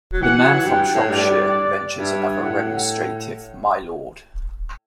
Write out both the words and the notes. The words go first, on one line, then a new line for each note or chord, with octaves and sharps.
The man from Shropshire ventures another remonstrative "My lord!"
F#3
E3 F#5
F#3
E3
G2 G5
A2
G2 D5
G2 E5
A2 F#5